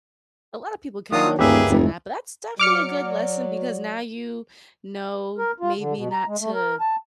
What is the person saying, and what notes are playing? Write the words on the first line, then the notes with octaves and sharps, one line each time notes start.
a lotta people can relate to that, but that's definitely a good lesson because now you know, maybe not to
D#3 F#3 A#3 D4 F4 F#4 C#5 D#6
D#1 D2 G2 A#3 G4 G#4 B4 E5
F1 E2 G#3 A3
F#3 D5 D6 F6 C#7
A#4
F4
D3
B2
A#5
G#3
A3
A#4
A5